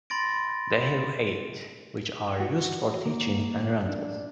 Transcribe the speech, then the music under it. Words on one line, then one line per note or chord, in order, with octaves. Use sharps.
They have eight, which are used for teaching and rentals.
B5 C6 A6 A#6 D7
F#4
A#3
D4